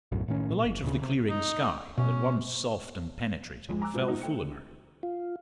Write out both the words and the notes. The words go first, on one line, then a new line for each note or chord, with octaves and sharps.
The light of the clearing sky, at once soft and penetrating, fell full on her.
B1 F#2 A2
A2 D#3 C#4
A#2
F#1
D2 C#3
C3
D#4
B2 C#4
F2 G#2 G#3
G#5 A#5 D6 E6 F#6
G#2 B2 F#3 B3 F4
A#2 D#4
A3 G5 C#7
D3
F4